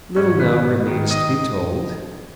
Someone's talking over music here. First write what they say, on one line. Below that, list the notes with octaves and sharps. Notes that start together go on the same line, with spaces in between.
Little now remains to be told.
G#2 C#4
D#3 B4
G#2
D#3
D#5